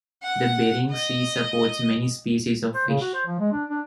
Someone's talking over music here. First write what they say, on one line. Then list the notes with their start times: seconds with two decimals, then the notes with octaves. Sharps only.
The Bering Sea supports many species of fish.
0.23 F#5
0.92 D#5
2.74 C5
2.88 C#3
3.01 F#4
3.14 C5
3.26 F3
3.40 G#3
3.52 D4
3.70 D4